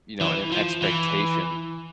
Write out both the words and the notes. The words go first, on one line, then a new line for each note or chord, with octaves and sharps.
you know, and an expectation,
E3
F3
E3